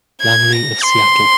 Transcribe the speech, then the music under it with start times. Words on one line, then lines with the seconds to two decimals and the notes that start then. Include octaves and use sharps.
Langley of Seattle.
0.22 G#6
0.52 A#6
0.83 C6